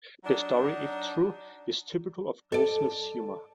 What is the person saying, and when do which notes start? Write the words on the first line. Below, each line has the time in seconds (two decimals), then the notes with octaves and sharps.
The story, if true, is typical of Goldsmith's humour.
0.24 F#3 D4 D#4
2.52 A4 D5